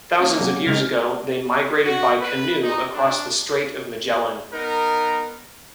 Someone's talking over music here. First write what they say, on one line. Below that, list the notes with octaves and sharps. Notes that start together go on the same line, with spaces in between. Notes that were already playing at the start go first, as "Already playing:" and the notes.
Thousands of years ago, they migrated by canoe across the Strait of Magellan.
A#3 C#4
F#3
C#3 G#3 D#4 F6
F#4
B4
D#4
D4
B3 D#4 A#4